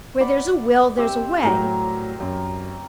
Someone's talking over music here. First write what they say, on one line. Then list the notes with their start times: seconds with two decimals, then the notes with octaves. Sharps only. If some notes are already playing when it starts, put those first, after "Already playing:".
Where there's a will, there's a way.
0.20 D5 F#5 B5
0.97 C4 G4 E5
1.43 A2 F#3 A#4
2.20 F#2